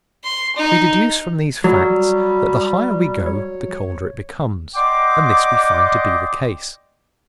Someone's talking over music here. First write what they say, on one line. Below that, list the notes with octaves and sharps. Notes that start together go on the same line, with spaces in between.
We deduce from these facts that the higher we go the colder it becomes; and this we find to be the case.
C6
D#4
F#3 G3
C#5
D5 D#5 F#5 G5 C6 D6